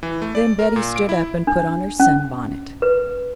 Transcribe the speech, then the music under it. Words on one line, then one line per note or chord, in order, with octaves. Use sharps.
Then Betty stood up and put on her sunbonnet.
E3
A3
D5
A#4
A#2
D7
E4
D4
C#4
B4